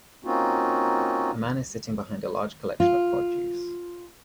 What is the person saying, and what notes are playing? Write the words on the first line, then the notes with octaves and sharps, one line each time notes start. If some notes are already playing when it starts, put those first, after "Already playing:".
A man is sitting behind a large collection of produce.
A#3 C4 C#4 D#4 F4 F#4
F4